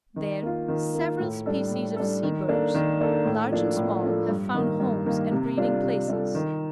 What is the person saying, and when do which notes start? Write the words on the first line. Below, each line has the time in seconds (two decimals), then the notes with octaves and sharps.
There several species of sea birds, large and small, have found homes and breeding places.
0.16 D#3
0.42 A#3 F4
0.68 D#3
0.94 A#3 F4
1.19 A2
1.46 G3 D4 A4
1.71 A2
1.96 G3 D4 A4
2.23 D#3
2.48 A#3 D4 A4
2.75 D#3
3.00 A#3 D4 A4
3.25 A2
3.51 F3 A#3 D4 A4
3.77 A2
4.03 F3 A#3 D4 A4
4.28 G2
4.54 D#3 A#3
4.80 G2
5.06 D#3 A#3
5.32 C3
5.57 G3 D4 F4 A4
5.82 C3
6.08 G3 D4 F4 A4
6.35 D#3